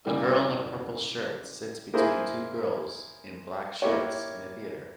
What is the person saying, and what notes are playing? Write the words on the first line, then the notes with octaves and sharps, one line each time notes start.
A girl in a purple shirt sits between two girls in black shirts in a theater.
C#3 E3 G3 A#3
A#3 E4 G#4 C5
A#3 E4 G4 C#5